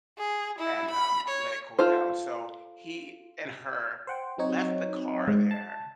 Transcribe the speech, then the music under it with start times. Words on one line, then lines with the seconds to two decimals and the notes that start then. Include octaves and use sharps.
and, um, let it cool down. So he and her left the car there,
0.19 G#4
0.59 E4
0.91 B5
1.28 C#5
1.79 F4 A4 C5
4.07 C5 F#5 G5
4.38 F#3 C4 D#4 C#5
5.27 G#2
5.51 A5